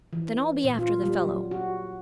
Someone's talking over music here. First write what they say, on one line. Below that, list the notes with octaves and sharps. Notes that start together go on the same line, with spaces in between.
"Then I'll be after the fellow."
E3
A#2
F4
G3
F#3
F#4